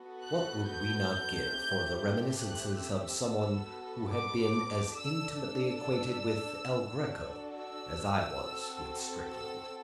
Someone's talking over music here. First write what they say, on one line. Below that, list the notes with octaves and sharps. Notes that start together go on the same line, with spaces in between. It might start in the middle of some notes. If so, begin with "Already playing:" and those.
What would we not give for the reminiscences of someone who had been as intimately acquainted with El Greco as I was with Strickland?
Already playing: B3 F#4 A4
F#6
G6
A3 C4 G4
F#6
E6
B3 F#4 A4
D6
D4 A4 E6
E6
D4 F#4 A4
E6
C4 F#4 A4
E6